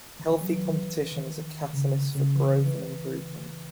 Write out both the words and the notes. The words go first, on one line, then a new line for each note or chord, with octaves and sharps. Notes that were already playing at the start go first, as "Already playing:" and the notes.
Healthy competition is a catalyst for growth and improvement.
D#3
E3
F#3
E3
E3
D#3
C#3
C#3
E3
E3